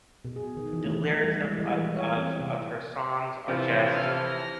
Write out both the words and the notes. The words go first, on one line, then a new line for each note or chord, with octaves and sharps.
the lyrics of of of of her songs are just,
B2
G#4
D#3
E3
A3
E3
G3
G#3
E3
C#5
C4
C3
C3 E3 F3 B4 C5
C3 A4 F6
F6 A#6